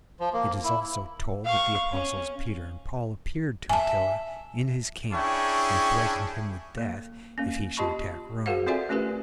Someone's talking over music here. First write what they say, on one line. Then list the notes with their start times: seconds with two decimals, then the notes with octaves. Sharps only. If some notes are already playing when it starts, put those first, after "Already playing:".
It is also told that the apostles Peter and Paul appeared to Attila in his camp and threatened him with death if he should attack Rome.
0.20 F3
0.34 A#3
0.64 E4
1.45 F5 C#6
1.92 C#4
3.70 E5 G#5 A5
5.13 C#4 D4 E4 G#4 G5 C#6
6.78 A#3
7.38 A#3 C#4
7.77 F4 G4 D#5 A5 B5 C#6
8.46 F#4 G#4 A#4 C5 F5 F#5
8.66 C4 F4 A4 D5 E5 G#5
8.89 A3 C#4 F4 G4 A#4 B4